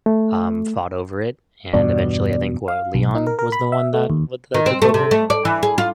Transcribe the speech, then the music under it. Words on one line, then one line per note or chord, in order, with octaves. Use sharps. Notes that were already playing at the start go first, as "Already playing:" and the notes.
um, fought over it, and eventually I think what Leon was the one that w that took over it.
A3
E2 G2 B2 D5
F5
B1
D#4
A#4
A#4
B5
E5
A3
D#2
D#3
C4
A3
C3
A3
D5
E3
G#4
F4